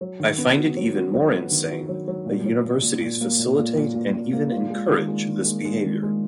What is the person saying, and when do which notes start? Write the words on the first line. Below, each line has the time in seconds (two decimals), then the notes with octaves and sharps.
I find it even more insane that universities facilitate and even encourage this behaviour.
0.01 F#3
0.20 D#3
0.38 B3
0.57 F#4
0.77 F#3
0.95 F#4
1.13 F#3
1.32 B3
1.51 D#3
1.70 F#4
1.89 F#3
2.08 F#3
2.26 A#2
2.46 F#3
2.64 A#2
2.83 A#2
3.01 A#2
3.21 A#3
3.39 A#2
3.58 A#2
3.77 A#2
3.95 A#2
4.14 A#2
4.33 A#3
4.52 F4
4.70 G#3
4.89 D#3
5.08 G#3
5.28 D#3
5.46 G#3
5.65 G#3
5.84 D#3
6.03 G#3